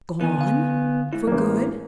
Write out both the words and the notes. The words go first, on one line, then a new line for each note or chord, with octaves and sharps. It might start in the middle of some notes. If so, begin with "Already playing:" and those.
"Gone--for good?"
E3 B3 E4 G#5
D3 F5
G#2 E4
A1 A#3